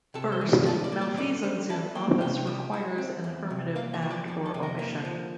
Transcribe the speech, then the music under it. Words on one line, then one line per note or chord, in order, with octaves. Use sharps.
First, malfeasance in office requires an affirmative act or omission.
C3 A4
C5
E3
C5
F4 A5
D5
A#3
D5
D3 D5
G3 C5
E4 A5
A#3 G5
C3 G5
G3
E4
C4
E2
C3
A#3 F5
E5
F3
D5
F2 D5
A4
C3
A#4
A#3
F3